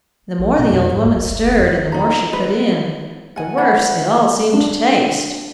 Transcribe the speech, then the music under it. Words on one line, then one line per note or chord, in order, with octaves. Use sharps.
The more the old woman stirred, and the more she put in, the worse it all seemed to taste.
A#1
B2
F2
G#2
D#1
C2
E1
F1
E2
D#4 A#5
D#4 B4
F#5 G#5
E4 C5 F#5 B5
D4